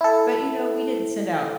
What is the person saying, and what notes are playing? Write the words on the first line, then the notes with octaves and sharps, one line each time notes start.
but, you know, we didn't send out
E4 A4